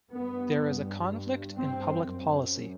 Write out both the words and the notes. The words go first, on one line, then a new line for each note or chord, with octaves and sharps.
There is a conflict in public policy.
G2 B3
C4
F#2